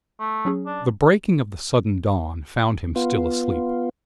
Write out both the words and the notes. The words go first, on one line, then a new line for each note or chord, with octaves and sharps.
The breaking of the sudden dawn found him still asleep.
A3
F#3 C#4 G#4
D4
B3 F4